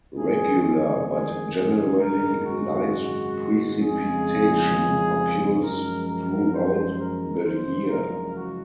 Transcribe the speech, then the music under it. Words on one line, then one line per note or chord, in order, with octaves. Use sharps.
Regular but generally light precipitation occurs throughout the year.
F#1 F2 D#3 G#3 G#4
G#4
G#4
G#4
G#1 F#2 C#3 G#3 A#4
F#4
F2 C#3 G#3 G#4
F#2 F3 G#3 A#4
A#4
C5
A#4
F#1 F#2 C#3 F3 G#3 C5
A#4
F#4